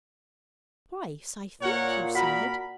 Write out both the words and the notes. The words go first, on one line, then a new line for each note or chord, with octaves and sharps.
"Twice, I think you said?"
A#2 A#4 C#5 F#5
F#4 A#4 F#5 B5 B6